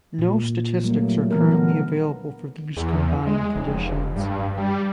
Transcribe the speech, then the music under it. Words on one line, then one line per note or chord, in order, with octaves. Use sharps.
No statistics are currently available for these combined conditions.
A#2
F#3 G3 A3 A#3
D3 E3 B3 A4 A#4
B3
E2
G#3
F1
G2
G3